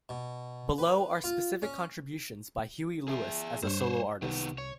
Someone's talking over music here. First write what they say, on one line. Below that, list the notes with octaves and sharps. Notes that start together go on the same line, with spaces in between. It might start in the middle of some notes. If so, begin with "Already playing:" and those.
Below are specific contributions by Huey Lewis as a solo artist.
B2
B4
F4
C#4
G#4 E5
G2 C5 C#5
C2 D#3 B3
C#5